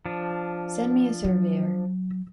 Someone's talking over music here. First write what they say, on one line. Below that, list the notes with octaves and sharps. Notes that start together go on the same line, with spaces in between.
Send me a surveyor.
F3 D4
F#3